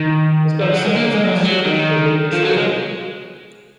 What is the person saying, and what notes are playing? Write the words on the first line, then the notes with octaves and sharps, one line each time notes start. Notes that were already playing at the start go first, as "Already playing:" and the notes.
His grandson was Austin Cornelius Dunham.
Already playing: D#3
F3
F#3
G#3
A#3
G#3
F#3
F3
F#3
D#3
F3
F#3
G#3